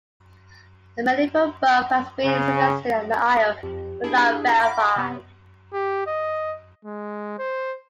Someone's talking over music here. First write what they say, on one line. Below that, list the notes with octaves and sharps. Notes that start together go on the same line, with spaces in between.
A medieval burgh has been suggested on the isle, but not verified.
C#3
F2 G4
D4 E4 G#4
F#5 B5 D6 A#6
C3 B3
G4
D#5
G#3
C5